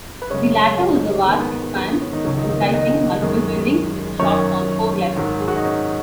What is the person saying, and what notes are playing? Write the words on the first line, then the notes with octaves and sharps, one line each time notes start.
The latter was a vast expanse, comprising multiple buildings with shops on four levels.
B4
F#2 C#3 G#3 C#4 C#5
C#4
D#4
C#4
G#2 D#3 G#3 B3
B3
B3
B3
C#4
D#3 D#4
C#2 C#3 F#3 C#4
D#3 D#4
D#3 D#4
B3 B4
D#4 D#5
F#2 D#3 G#3
F#2 D#3 F#3 C#4 C#5
G#2 D#3 F#3
G#4
F#4
D#4
C#4